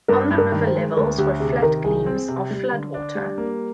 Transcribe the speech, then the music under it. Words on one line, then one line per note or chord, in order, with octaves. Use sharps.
On the river levels were flat gleams of flood water.
G2 A#4
G2
A#4
D#3
C5
G#3
D2 A#4
D2 G4
C3 G#4
D#3 A#4
C2 G#4
C4
C3
G3
D3
D4
G3
A#3